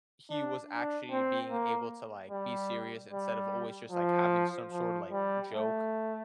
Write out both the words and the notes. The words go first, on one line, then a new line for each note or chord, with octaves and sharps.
he was actually being able to, like, be serious instead of always just, like, having some sort of, like, joke.
D4
D4
C4
A#3
G3
G3
F3
F3
G3
A3